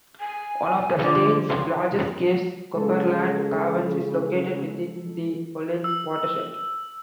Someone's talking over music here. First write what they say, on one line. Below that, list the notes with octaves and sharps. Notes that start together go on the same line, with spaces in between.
One of the state's largest caves, Cumberland Caverns, is located within the Collins watershed.
G#5
D3 F3 D6
C#2 C6
C#3 G#3 A4
E6